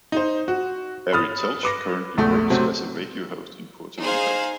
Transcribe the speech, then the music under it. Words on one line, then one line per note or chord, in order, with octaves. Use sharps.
Ari Telch currently works as a radio host in Puerto Rico.
D#4 C5
F#4
B5 D#6 F6 A6
B4 D6 A#6
A#1 E2 A3
C3 F#3 A3 C4
D#4 G#4 C5 F5